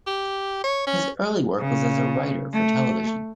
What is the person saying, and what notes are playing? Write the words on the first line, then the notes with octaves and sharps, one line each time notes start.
His early work was as a writer for television.
G4
C#5
C#4
C#3
A3